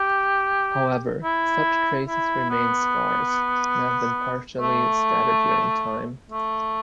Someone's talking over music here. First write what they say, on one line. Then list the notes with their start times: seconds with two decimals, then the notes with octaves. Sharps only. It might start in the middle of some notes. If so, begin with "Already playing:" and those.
However, such traces remain scarce and have been partially scattered during time.
Already playing: G4
1.24 E4
2.08 E4
2.50 B3
4.61 A3
6.30 A3